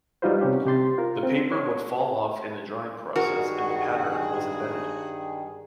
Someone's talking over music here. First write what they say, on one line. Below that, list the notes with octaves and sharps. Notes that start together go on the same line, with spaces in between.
The paper would fall off in the drying process and the pattern was embedded.
G3 D#4 F4 F#4 B4 C5
C3 C#4 G4
C3 G4 C6 A6
F4 A#4
C4
C#5
G2 D#3 F#4 G#4 A#4